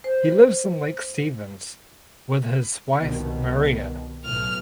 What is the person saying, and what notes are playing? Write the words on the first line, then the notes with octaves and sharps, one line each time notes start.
He lives in Lake Stevens with his wife Mariah.
C5
C2 B2 D#3
B1 A2 F6